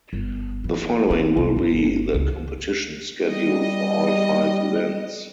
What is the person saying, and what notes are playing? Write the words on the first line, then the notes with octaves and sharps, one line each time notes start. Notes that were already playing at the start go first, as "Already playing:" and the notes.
The following will be the competition schedule for all five events.
G1
E3
C4
C2
G1
C#2
G3 D#5